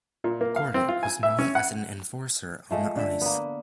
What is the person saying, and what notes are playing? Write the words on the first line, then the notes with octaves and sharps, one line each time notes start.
Kordic was known as an enforcer on the ice.
A#2
A#3
F5
C4
F4
G#5
E5
C#4
F#5
G#3 A3 F4
D3 E5
A#3 B3